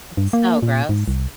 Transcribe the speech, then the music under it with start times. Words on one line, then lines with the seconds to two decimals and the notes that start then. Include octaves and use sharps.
It's so gross,
0.17 G2
0.33 A#3
0.63 A#2
0.89 G#2
1.08 C2